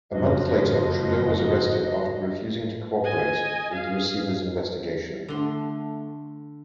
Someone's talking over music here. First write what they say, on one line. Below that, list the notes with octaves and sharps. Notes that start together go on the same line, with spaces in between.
A month later Trudeau was arrested after refusing to cooperate with the receiver's investigation.
F#1 F2 F3 F#4 D#5
D#5 G#5
G#4 F5
D3 A3 C6